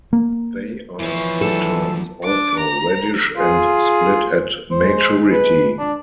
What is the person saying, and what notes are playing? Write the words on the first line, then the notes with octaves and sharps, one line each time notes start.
They are sometimes also reddish and split at maturity.
A#3
E2 E3 F3 E4 C#5
F#3 D4 A4 D#7
D4 D6
A#5
F4 G#4
G#3 C5
B4
D4